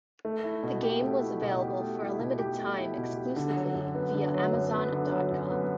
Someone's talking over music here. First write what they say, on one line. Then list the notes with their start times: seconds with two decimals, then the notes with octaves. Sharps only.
The game was available for a limited time exclusively via Amazon dot com.
0.25 A3
0.44 E4
0.63 B2
0.83 G4
1.02 A3
1.22 E4
1.42 B2
1.61 G4
1.80 A3
2.00 E4
2.19 B2
2.39 G4
2.58 A3
2.78 E4
2.97 B2
3.16 G4
3.36 D3
3.56 F#3
3.75 F#2
3.95 B3
4.14 D3
4.34 F#3
4.53 F#2
4.72 B3
4.92 D3
5.11 F#3
5.31 F#2
5.51 B3